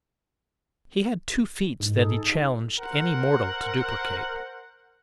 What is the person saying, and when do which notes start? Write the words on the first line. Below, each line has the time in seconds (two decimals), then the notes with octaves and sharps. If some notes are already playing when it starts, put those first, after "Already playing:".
He had two feats that he challenged any mortal to duplicate.
1.80 G#2
1.94 D#4 G#4 A4
2.80 A#4 C5 F#5